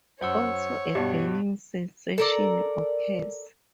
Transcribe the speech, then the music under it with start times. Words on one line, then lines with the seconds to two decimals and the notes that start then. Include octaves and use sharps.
Also, a burning sensation occurs.
0.21 F#2 C5 C#5 F#5 E6
0.95 G2 B2 G4
2.18 A4 A#4 D5